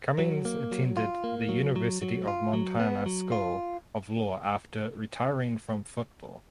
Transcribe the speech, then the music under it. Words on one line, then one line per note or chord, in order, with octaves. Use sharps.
Cummings attended The University of Montana School of Law after retiring from football.
F#3
A#3
F#3
F4
A#3
F#3
F#3
F#3
F4
F#3
B3
F#3
F4